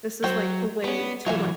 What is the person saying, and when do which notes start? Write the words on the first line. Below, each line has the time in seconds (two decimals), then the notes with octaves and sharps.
this is, like, a way to, like,
0.24 F#3 C5 G5
0.84 G3 B3 C#4
1.26 E3 F#3 F4 E5 G#5